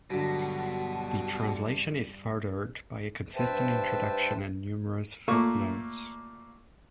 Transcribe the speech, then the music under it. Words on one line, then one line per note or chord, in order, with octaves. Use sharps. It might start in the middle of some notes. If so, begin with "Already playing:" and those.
The translation is furthered by a consistent introduction and numerous footnotes.
G2 B2 D3 F#3
G2 B4 C5 E5 G5 A5
A#2 A3 A#3 C#6